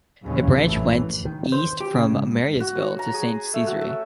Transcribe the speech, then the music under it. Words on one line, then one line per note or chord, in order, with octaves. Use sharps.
A branch went east from Mariesville to Saint Cesarie.
D#2 A#2 C#3 E3 F#3 C#4
A#1 F#2 A2 E3 F#3 A3
D#3
C5
G4
C#3
G#2
F#4
C#5
A#5
G#4
A3
F#4
E5